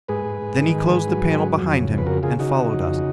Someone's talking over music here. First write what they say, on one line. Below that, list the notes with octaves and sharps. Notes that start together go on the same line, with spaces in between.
Then he closed the panel behind him and followed us.
G#2 G#4 B4
G#2
G#2
D#3
G#2
G#2
F#3
G#2
F#3
F2
C#3
F2
B4
C#3 F#4 A#4
C#3 F4 G#4
C#3 D#4 F#4
C#3
F2
C#3